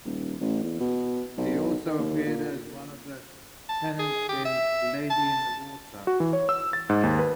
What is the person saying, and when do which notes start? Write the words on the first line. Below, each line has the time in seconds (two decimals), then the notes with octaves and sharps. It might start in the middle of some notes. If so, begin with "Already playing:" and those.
He also appeared as one of the tenants in "Lady in the Water".
0.05 D#1
0.41 A1
0.64 E2
0.80 B2
1.38 B1
1.86 D#3
1.99 D#2
2.26 A#2
3.69 A5
3.99 G#4
4.29 G4
4.45 E5
5.10 A5
6.07 F#4
6.20 E3
6.33 C#5
6.49 E6
6.73 A6
6.89 G#2
7.03 D#2
7.19 B4